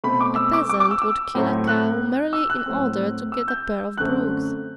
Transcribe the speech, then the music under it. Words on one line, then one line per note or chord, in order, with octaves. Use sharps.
A peasant would kill a cow merely in order to get a pair of brogues.
B2 A3 C4 B5
D6
E6
D6
D6
D6
E6
E6
A2 F#3 A3 C4
F#6
E6
F#6
A2 F#3 A3 C4
E6
G6
F#2 D3 A3 C4 F#6